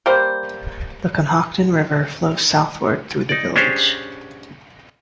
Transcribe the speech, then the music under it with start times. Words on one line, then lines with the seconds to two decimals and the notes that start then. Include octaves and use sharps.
The Conhocton River flows southward through the village.
0.06 G3 A#3 C5
3.29 D#4 D5
3.56 C#4 D4 G4 G#4 C5 C#5